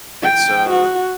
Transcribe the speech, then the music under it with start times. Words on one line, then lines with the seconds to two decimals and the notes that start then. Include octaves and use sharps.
it's a
0.23 G5
0.69 F#4